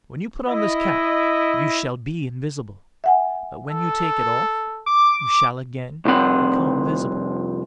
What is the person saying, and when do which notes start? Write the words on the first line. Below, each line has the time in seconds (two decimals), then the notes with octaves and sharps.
"When you put on this cap, you shall be invisible; but when you take it off, you shall again become visible."
0.48 E4 D#5
3.04 E5 F#5 G#5
3.70 A4
4.86 D6
6.05 C2 F2 C4 F#5